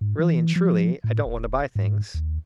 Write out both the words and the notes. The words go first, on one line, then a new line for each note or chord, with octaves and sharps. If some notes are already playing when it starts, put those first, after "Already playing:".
Really and truly, I don't want to buy things.
G#2
E3
F3
A2
D#1
G#2
D#2